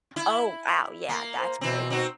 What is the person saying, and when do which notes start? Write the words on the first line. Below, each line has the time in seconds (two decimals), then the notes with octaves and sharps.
Oh, wow, yeah, that's great.
0.16 E4
1.09 A#3
1.38 C5
1.61 B2 E3 C4
1.90 C4 D#4 F#4